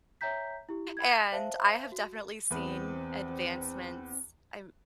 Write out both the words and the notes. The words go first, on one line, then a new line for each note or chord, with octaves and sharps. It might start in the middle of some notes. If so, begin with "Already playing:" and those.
and I have definitely seen advancements. I'm
C#5 E5 G5 A#5 G6 B6
E4 G4
B5 G#6
C5 E5 F5 A5
F#4
E2 C4 B4